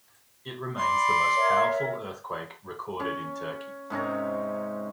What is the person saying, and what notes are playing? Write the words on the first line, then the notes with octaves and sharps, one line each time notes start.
It remains the most powerful earthquake recorded in Turkey.
D5 B5 C6
A#4 C#5 E5
C#4
G#2 C3 C#4 A#5